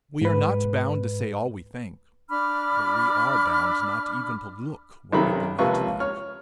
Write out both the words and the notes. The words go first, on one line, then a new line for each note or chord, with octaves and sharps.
We are not bound to say all we think, but we are bound not even to look what we do not think.
G#2 B4
D4 B5 D6 F6
B1 C3 D#3 F#3 A#5 B5
C#2 C3 F3 A#3 B4 C#6
C#5 F6